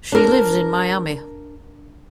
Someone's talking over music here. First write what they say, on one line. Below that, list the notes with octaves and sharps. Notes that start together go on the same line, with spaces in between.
She lives in Miami.
D4 A#4